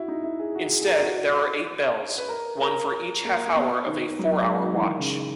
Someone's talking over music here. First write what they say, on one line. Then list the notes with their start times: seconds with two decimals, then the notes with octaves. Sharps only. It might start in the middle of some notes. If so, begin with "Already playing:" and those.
Instead, there are eight bells, one for each half-hour of a four-hour watch.
Already playing: E4 F#4
0.08 D#4
0.23 E4
0.39 G#4
0.55 F#4
0.71 G#4
0.81 G#4
0.87 A#4
0.98 E4
1.03 F#4
2.18 B4
2.29 A#4
2.61 A#4
3.24 A#3
3.46 A#3
3.56 B3
3.86 D#3
4.19 F#3
4.40 G#3
4.60 D#3
4.73 E3
4.82 D#3
4.98 C#3
5.13 D#3